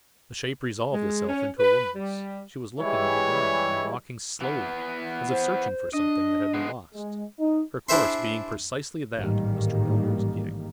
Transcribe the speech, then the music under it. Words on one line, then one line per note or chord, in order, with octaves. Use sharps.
The shape resolved itself into a woman's; she was looking on the ground, and walking slowly as if searching for something that had been lost, her course being precisely that of Mr. Melbury's gig.
G#3
C#4
B4
G3
E3 G3 G#3 E4 C#5
E3 B3
C5
D4 D#5
G#3 B3
G#3
D#4
D4 E4 G#4 C5 E5 C6
A1 G#2 D#3 G3 A#3